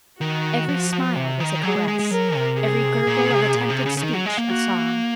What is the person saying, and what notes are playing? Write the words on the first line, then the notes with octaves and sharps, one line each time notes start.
Every smile was a caress, every gurgle of attempted speech a song.
D#3 F#4
F3
F3
C3
D#3
F#3 G#4
G#3
G#3
G#3
F#3 A#4
C3
G#4
A#2
C3
A#2
C3
C#3
C#3
D#3
F#3
G#3
A#3
F#4